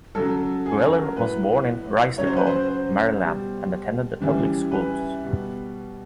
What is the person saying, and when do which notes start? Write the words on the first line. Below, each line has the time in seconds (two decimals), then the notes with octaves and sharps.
Weller was born in Reisterstown, Maryland and attended the public schools.
0.15 C#3 F#3 A4
0.66 G#4
0.83 A4
1.00 A#4
1.16 A2 F#3 B4
2.18 C#3 F#3 C#5
2.27 C5
2.37 B4
2.47 C5
2.68 C5
3.20 B2 G3
4.20 C#3 E3 G3
4.71 B4
5.23 B2 G3